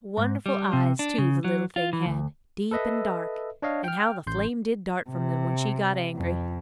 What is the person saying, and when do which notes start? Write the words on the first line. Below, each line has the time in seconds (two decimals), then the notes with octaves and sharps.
Wonderful eyes, too, the little thing had--deep and dark--and how the flame did dart from them when she got angry!
0.18 G#2
0.46 G3
0.73 C3
0.99 D4
1.18 C#3
1.44 F#3
1.76 F4
1.93 E3
2.06 D2
2.71 A4 B4 D#5 E5
3.62 D4 C#5 D#5 F5
3.84 G5 F6
4.27 A1 C6 G6
5.10 C3
6.17 F2